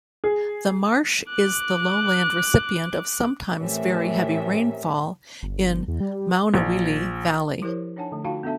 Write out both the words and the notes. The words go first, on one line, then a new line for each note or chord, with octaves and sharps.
The marsh is the lowland recipient of sometimes very heavy rainfall in Maunawili Valley.
G#4
D6 F#6
A2 C3 E3 C#4 A#4 E5
G1
E2
G3
A#1
F3 E4 G4 A#4 C5 C#5
D4 D#4 C#5 F#5 G#5 A5
D3 A3
D#4 F4 F#4 F5 G5 A5
B3 D4 A4 E5 A5